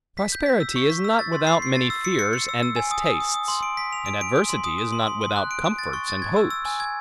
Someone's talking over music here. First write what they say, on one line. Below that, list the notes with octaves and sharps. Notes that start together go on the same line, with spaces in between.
Prosperity is not without many fears and distastes; and adversity is not without comforts and hopes.
B6
G6
B6
E6
C#6
B6
E6
A6
C6
C7
C7
A6
E6
C#7
C#7
C#7
E6
E6
G#5
D#6
D#6
D#6
D#6
C6
D7
B6
F7
D7
D7
D7
C6
D#6
D#6
C6
C6
C6
F#6
D7
D7
A6
C#6
A6
G#6
E6
E6
G#5
G#6